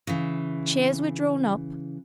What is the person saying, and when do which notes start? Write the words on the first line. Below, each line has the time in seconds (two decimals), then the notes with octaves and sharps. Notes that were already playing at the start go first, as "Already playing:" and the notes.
Chairs were drawn up.
0.07 C#3 E3